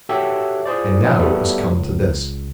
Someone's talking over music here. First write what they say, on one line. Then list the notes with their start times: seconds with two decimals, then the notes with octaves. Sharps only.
And now it was come to this.
0.09 F#4 G4 A4 C#5 E5 G5
0.65 F4 G#4 C5 D5
1.03 B1 F3 G#3
1.19 G3 A3 B3 F#4 A4
1.72 C#2